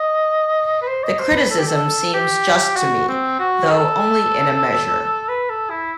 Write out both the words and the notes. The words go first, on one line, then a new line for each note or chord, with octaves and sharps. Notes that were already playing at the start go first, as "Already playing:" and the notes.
The criticism seems just to me, though only in a measure.
Already playing: D#5
B4
C5
D#5
C5
B4
A4
G4
A4
G4
F#4
C4
F#4
A4
B4
A4
E4